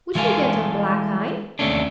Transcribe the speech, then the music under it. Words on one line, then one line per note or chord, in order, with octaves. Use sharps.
Would he get a black eye?
E3 G#3 A4 F5 G#5
D#2 C3 A3 C#4 D4